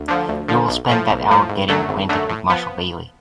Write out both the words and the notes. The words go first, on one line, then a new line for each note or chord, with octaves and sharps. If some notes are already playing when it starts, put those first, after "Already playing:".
You will spend that hour getting acquainted with Marshall Bailey.
Already playing: D2
D3 F3
D2
D3 F3
B1
A2 F3
B1
A2 F3
G#1
F#2 D3 F#3 A3
G#1
F#2 D3 F#3 A3
A2
F3 B3